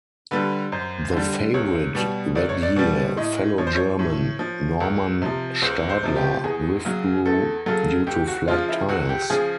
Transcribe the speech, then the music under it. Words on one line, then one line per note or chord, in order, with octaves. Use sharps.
The favorite that year, fellow German Normann Stadler, withdrew due to flat tyres.
D3 G3 B4
F#2 C5
D3 G3
C#2 C#5
B2 G3
C#2 D5
C#5
D5
B2 G3
A2 D#5
F3 C#5
C5
C#5
A2
F3
C#2
C3 F3
C#2 C5
C5
C3 F3
G4
E2 G#4
C#3 F#3
E2 A4
C#3 F#3 A4
C#2 G4
F#4
C#3 F3 F4
E4
C#2 F#4
G4
C#3 F3 G#4